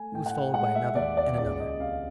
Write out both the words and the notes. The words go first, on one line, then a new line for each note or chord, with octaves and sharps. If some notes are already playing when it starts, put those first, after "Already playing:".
It was followed by another and another.
Already playing: A3 G#5
A2 G5
F#5
G#3 F#5
E5
D#2 D5
D5
C#2 D5
D#5
C3 F5